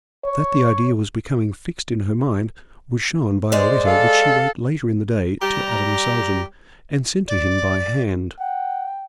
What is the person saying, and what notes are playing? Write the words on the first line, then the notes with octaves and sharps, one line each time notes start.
That the idea was becoming fixed in her mind, was shown by a letter which she wrote later in the day to Adam Salton, and sent to him by hand.
C#5
G#3 C5 D5
A4 F5
G3 G4 A#5
D5
F#5 G5